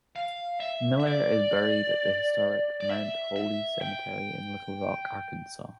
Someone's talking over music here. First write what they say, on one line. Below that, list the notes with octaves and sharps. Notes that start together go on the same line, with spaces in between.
Miller is buried at the historic Mount Holly Cemetery in Little Rock, Arkansas.
F5
E5
E5
D5
D5
E5
E5
G5